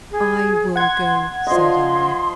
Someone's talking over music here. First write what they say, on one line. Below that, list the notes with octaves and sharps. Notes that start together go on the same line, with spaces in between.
"I will go," said I.
G#4
F#5 C6 G#6
F3 D#5 C6